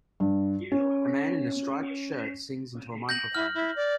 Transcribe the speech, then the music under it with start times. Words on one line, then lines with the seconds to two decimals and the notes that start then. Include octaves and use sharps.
A man in a striped shirt sings into a microphone.
0.20 G2
0.72 C#4
3.09 G6 A#6 F#7
3.35 E4 F6
3.54 E4
3.76 D5